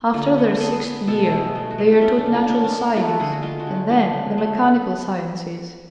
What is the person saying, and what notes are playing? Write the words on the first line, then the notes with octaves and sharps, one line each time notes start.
After their sixth year they are taught natural science, and then the mechanical sciences.
D3 F4
B3
B3 G#4 A4
B3
B2 A4
A3 G#4
A3 F#4
F#4
A3
F4
B3 C#4
D4
C#3
F4
D4
B3 C#4
D4
G#3
A3 F4
F#4
D3 G#4
F#4
G#3 F4
F#4
D3
F4
F3 D4
C#3
A3